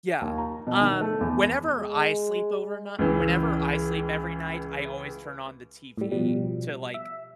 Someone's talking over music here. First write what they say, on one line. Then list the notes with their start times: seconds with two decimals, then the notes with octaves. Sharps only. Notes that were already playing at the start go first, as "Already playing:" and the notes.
Yeah. Um, whenever I sleep over ni whenever I sleep every night, I always turn on the TV to, like,
0.21 D#2
0.38 A#5
0.67 B2
0.81 D#3
1.01 A3
1.21 E2
1.77 G#3
2.99 C#2 E3
5.98 A2 G3
6.12 B2 F3 G3
6.94 E5